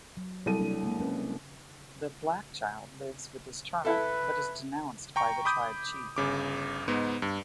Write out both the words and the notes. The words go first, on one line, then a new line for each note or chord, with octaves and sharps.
The "black child" lives with his tribe, but is denounced by the tribe chief.
F#3
C2 F#3 A4 D#7
C3 A#3 D4
G#3 A#3
C4 C#4 B4
E4 A4 B4
G5 A#5 C#6
B5 D6 D#6 G6
G1 C#3 D6
G#2 B3 D#4
G2